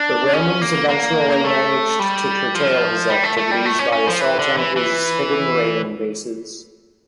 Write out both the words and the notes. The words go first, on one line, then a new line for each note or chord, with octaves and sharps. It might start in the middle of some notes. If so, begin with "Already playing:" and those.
The Romans eventually managed to curtail his activities by assaulting his hidden raiding bases.
Already playing: D4
C#4
A#3
A#3
A3
G3
F3
G3
A3
A3
G3
A3
C#4
C#4
F3
E3
D3
E3
E3